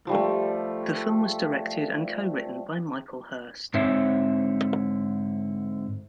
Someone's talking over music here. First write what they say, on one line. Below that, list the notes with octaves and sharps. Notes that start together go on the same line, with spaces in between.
The film was directed and co-written by Michael Hurst.
F3 G3 A3
G#2 D3 C4 C#5 E5